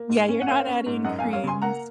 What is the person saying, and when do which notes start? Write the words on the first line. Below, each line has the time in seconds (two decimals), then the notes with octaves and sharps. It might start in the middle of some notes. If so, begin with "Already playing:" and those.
Yeah, you're not adding creams.
Already playing: A#3
0.09 G#2
0.29 C#4
0.42 F#5
0.47 A#3 C#5 F5
0.67 C#4
0.86 G#2
1.04 F#2 D#5 F#5
1.19 F5 G#5
1.24 F#2
1.33 C#5 F5
1.44 C#3 G#5 C6
1.62 A#3 F#5 A#5